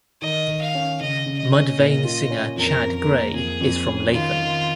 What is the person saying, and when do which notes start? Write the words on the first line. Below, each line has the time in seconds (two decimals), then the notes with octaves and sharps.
Mudvayne singer Chad Gray is from Latham.
0.22 D#3 D#5
0.48 D#3
0.61 F5
0.75 C#4
1.01 C#3 D#5
1.26 C#3
1.39 D#5
1.52 C#4
1.78 A#2
2.05 F4
2.30 C#4
2.57 F2 A#4
2.83 F2
2.96 A#4
3.09 A#3
3.35 F2 G#4
3.61 F2
3.87 C#4
4.13 D#3 F4
4.39 D#3